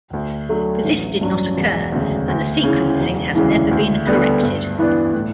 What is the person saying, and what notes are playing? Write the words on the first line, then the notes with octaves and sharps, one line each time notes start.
But this did not occur, and the sequencing has never been corrected.
D2
D3 F#3 A3
A1
G2 F#3 C#4
E1
D2 C#3
D2
C#3 E3
E1
D2 C#3 E3
D2
D3 G3 B3
G2
E3 B3 D4
A2